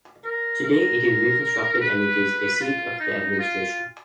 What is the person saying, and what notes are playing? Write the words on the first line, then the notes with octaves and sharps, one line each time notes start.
Today, it is reconstructed and it is a seat of the administration.
A#4
A#4
B4
F4
D#4
F4